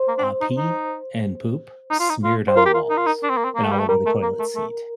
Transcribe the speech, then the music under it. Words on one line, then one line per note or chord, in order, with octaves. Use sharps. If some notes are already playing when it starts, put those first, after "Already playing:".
uh, pee and poop smeared on the walls and all over the toilet seat.
Already playing: C5
A#3
D4
C4
D#4
D#4
D#4
F4
D#4
F4
C5
F4 A#4
G4
F4
D#4
F4
D#4
D4
C4
A#3
C4
A#3
A3
G3
A3
G3 A#4
A3
A#3
A3
A3